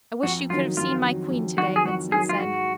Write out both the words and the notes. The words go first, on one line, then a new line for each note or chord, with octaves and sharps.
I wish you could have seen my queen today, Vincent said.
F2 F#4
D#3 F#3 F4
F2 F4
D#3 F#3
F2
D#3 F#4
F#3
G#4
F2 F#4
D#3 F#3 G#4
F4
G#2 F#4